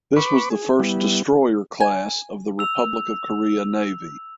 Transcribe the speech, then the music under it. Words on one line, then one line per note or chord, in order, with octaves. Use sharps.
This was the first destroyer class of the Republic of Korea Navy.
B4 B5 C#6 D6
G#4
G3 B3 E4
G#5
E6 F7